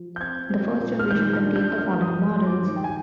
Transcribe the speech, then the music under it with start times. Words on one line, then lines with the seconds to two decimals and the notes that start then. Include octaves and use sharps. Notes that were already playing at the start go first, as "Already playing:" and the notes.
The first generation contained the following models.
Already playing: F3
0.16 G6
0.20 C4 G#6
0.50 C4
0.80 A#2
0.99 F6
1.11 D#3 G6
1.33 F6
1.41 D4
1.56 G6
1.72 A#3 G6
1.78 F6
2.01 G2 D#6
2.32 G2 C6
2.47 D6
2.62 D#3
2.76 G5
2.84 G#5